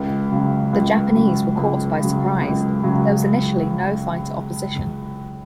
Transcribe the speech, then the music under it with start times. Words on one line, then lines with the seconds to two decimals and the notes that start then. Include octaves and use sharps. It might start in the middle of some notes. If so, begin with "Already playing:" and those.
The Japanese were caught by surprise; there was initially no fighter opposition.
Already playing: C#2
0.31 C#3 F#3
0.73 C#2
1.15 C#3 F#3
1.57 C#2
1.99 C#3 F#3
2.41 C#2
2.83 C#3 F#3